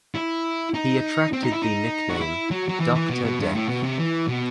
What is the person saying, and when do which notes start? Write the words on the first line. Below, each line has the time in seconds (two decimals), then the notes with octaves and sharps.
He attracted the nickname "Doctor Death".
0.15 E4
0.74 D#4
1.33 C4
1.43 D#4
1.52 E4
1.62 D#4
2.10 F#4
2.21 E4
2.51 F#3
2.69 F#3
2.80 E3
2.95 E3
3.10 B2
3.24 B2
3.40 G2
3.54 A2
3.69 B2
3.83 C3
3.98 E3
4.28 B2